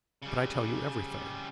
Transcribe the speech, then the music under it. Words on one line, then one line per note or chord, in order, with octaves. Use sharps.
"But I tell you everything."
C#3 G3